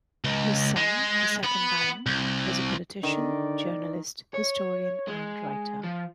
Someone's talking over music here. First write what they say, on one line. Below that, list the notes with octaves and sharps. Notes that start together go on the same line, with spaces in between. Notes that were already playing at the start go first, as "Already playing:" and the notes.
His son, the second Baron, was a politician, journalist, historian and writer.
C#2
G#3
B3 B5
C2
D3 D#3 D5
C#5
G#3
F3